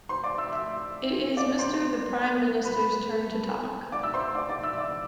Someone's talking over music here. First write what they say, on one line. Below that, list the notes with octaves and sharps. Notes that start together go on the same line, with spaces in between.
It is Mr the Prime Minister’s turn to talk.
C5 C6
D5 D6
E5 E6
E5 E6
D5 D6
C5 C6
B4 B5
D5 D6
E5 E6
C5 C6
D5 D6
D5 D6
E5 E6
D5 D6